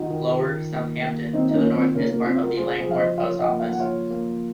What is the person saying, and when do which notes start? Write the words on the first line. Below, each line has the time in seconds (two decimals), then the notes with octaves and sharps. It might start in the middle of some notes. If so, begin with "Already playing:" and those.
Lower Southampton to the north is part of the Langhorne Post Office.
Already playing: D#3 D#4 F4 F#4
0.10 D#3
0.41 D#3
0.72 A#3
1.03 A#3
1.33 D#3 C4 D#4
1.49 D#4
1.54 A#3 C#4
1.65 F4
1.74 C4
1.95 C#3 A#3 C#4
2.10 A#3
2.26 C4 F4
2.41 F#4 A#4
2.57 F4 G#4 C5
2.77 G#4 C5
2.87 F3 F5
2.97 C5 D#5
3.18 F4 C#5 F5
3.39 D#5 F#5
3.49 A#3
3.59 F5
3.69 F#5
3.79 F4 C#5 F5
4.11 A#3